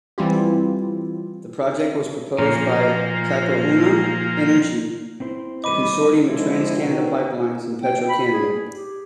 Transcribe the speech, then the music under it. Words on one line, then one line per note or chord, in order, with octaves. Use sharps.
The project was proposed by "Cacouna Energy", a consortium of TransCanada Pipelines and Petro-Canada.
E3 G3 C4 E4 F4 G4
A#2 F3 A#3
C4 E4 C5
D#3 G3 A3 D#5 B5 D6 D#7
C3 F3 G#3 E4
B2 D#3
G5
B5
G#4
G4